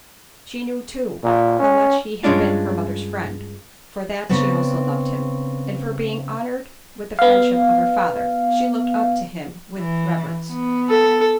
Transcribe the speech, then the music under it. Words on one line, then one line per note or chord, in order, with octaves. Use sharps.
She knew, too, how much he had been her mother's friend; for that, she also loved him; and for being honoured with the friendship of her father, she looked up to him with reverence.
A#2
C#4
G2 G#3 C#4 D4 F4
C#3 B3 C4 D4
B3 F5
E3
B3
A4